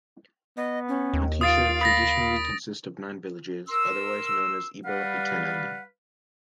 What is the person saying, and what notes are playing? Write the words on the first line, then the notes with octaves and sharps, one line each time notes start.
Onitsha traditionally consists of nine villages, otherwise known as Ebo Itenani.
B3 D#5
C#4
D#2
F4 F5 D#6 A6 D7
B5 D#6 A6 A#6
A#4 C6 E6
G3 G4 B4 F5 F#5